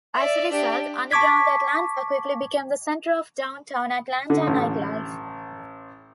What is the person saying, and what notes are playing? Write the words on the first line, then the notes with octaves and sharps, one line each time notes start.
As a result, Underground Atlanta quickly became the center of downtown Atlanta nightlife.
D5 E5
D4 G4
A5 C#6 D6 G#6 B6
D3
A1